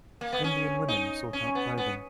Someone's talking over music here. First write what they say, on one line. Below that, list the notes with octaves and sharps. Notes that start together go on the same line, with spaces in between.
Indian women sort out clothing.
A#3
B3
C#4
D#4
C#4
B3
B3